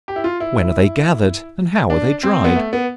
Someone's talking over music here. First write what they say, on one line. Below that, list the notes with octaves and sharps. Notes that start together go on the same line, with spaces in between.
When are they gathered, and how are they dried?
G4
E4
F4
E4
D4
C4
B3
A3
B3